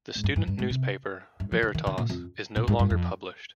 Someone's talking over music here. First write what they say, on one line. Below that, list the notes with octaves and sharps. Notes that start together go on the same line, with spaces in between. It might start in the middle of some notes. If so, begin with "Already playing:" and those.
The student newspaper, Veritas, is no longer published.
G#2
G2
G2
G2
G#2
C3
G2
F3
D#3
D#3
D3
A#2
F2
A#2
G#2
G2
F2